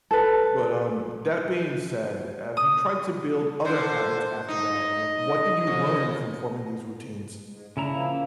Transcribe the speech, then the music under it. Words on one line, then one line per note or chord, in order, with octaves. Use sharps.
But, um, that being said, have you tried to build other habits after that? And, like, what did you learn from forming these routines?
A4 B4
D#6
D3 C5
D#4 D#5
F2
G#2
C#3 D4 E4 A#5
F3 A#3